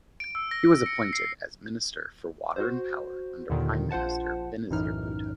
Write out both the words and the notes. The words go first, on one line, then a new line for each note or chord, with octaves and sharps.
He was appointed as Minister for Water and Power under Prime Minister Benazir Bhutto.
D7
E6
A#6
C#7
C7
F#4 C5
D#2 A#2 D3 D#3
A#1 F4 C5 F#5 A5
B1 F#2 A2 E3 D#4 F6